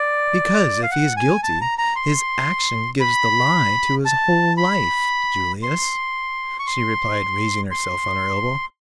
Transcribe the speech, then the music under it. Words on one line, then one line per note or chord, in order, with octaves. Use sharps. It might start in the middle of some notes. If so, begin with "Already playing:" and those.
"Because, if he is guilty, his action gives the lie to his whole life, Julius," she replied, raising herself on her elbow.
Already playing: D5
F5
F#5
G#5
A5
A#5
A#5
C6
B5
A5
B5
C6
C#6
C6
C6